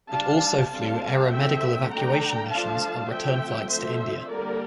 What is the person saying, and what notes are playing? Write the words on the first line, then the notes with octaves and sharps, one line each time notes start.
It also flew aeromedical evacuation missions on return flights to India.
G3 D4 F5 A5
D3 G3 C4 F5 A5
D3 F3 A3 C4 E5 G5
D3 A3 D4 G5 A#5
F3 A3 D4 F5 A5
F3 A3 C4 E5 G5
D3 F3 A3 C4 C5 E5
D3 G3 A#3 A#4 D5